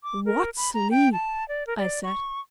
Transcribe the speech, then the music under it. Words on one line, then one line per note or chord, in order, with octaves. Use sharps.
"What sleep!" I said.
D6
A#4
B5
A#5
G5
A5
D5
A#4
D5
C#6